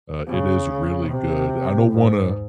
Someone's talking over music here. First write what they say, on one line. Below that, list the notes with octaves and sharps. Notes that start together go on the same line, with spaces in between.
uh, it is really good. I don't wanna
C#3
C3
G#2